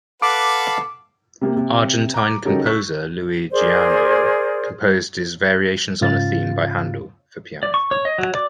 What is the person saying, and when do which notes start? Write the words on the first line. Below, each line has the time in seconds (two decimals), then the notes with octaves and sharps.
Argentine composer Luis Gianneo composed his "Variations on a Theme by Handel" for piano.
0.22 A4 B4 F5 F#5 A5 B5 D6
1.41 C3 A#3 G4
1.56 C3
2.14 A#5 D6
2.45 C#3 F#3 D#4 G4 A4 A#4
2.66 C#6 E6 F#6 B6
3.52 G#4 A#4 C5 D5
6.01 G#2 C#3 F4 F5 A6
7.63 D5
7.74 C#6
7.91 C#5
8.05 D#5
8.18 F#3
8.35 D5